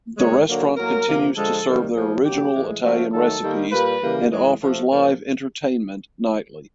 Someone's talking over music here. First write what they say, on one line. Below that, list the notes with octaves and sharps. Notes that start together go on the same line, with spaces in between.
The restaurant continues to serve their original Italian recipes and offers live entertainment nightly.
C3 D#3 G#3 C#5
D3 F#3 A#3
A2 F#3 A#3 A#4
C3 F3 A#3
D3 F3 G#3 A4
C3 D#3 G3 A#3
A#2 F3 A#3 G#4
D#3 F#3 A#3 G4
A2 E3 G#3
C#3 F3 A3 F#4
D#3 F#3 A3 A4
D#3 G3 A#3
A#2 G3 A#3 B4
C#3 E3 G3 A#3
A2 E3 G#3
C3 F3 A3
A#2 F3 A#3